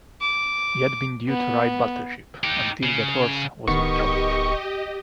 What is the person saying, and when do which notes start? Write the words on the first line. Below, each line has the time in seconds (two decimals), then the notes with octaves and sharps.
He had been due to ride Battleship, until that horse was withdrawn.
0.21 D6
1.27 B3
2.44 D#4 G4
2.83 C#3
3.67 D1 D#3 B3 G4 D#5 C#6